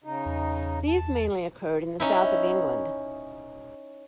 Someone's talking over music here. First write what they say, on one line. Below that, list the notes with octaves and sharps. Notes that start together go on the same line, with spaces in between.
These mainly occurred in the south of England.
C#3 D#4
E2
A5
C#4 D#4 E4